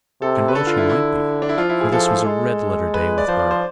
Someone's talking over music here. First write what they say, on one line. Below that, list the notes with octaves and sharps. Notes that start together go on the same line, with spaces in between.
And well she might be, for this was a red-letter day with her.
C3 A4
B4
D3 A4
F4
E4
E4
D4
E4
F3 F4
E4
G#4
F3 A4
G#3
B4
D5
F3 C5
D5
C5